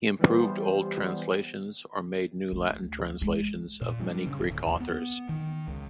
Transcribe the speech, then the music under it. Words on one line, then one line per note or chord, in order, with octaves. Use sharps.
He improved old translations, or made new Latin translations, of many Greek authors.
E3 G3 B3 C5
D2
G#3
A#2
G2
C#3
D1
D#2
B3
D#3
C#2